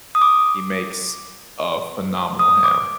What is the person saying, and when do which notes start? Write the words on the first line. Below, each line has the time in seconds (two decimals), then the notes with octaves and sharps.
he makes a phenomenal ham,
0.15 D#6
0.22 D6
2.39 D#6
2.64 D6